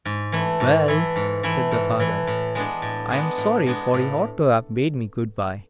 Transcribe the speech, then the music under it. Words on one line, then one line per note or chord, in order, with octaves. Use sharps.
"Well," said the father, "I am sorry; for he ought to have bade me good-bye."
G#2
E3 A3 E4
G#2
E3 A3 E4
G#2
E3 A3 E4
G#2
E3 A3 E4
A2
G#3 B3 D4 G#4
A2
G#3 B3 D4 G#4
A2
G#3 B3 D4 G#4
A2